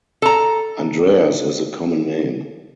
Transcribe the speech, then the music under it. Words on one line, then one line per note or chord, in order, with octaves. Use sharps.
Andreas is a common name.
A4 A#5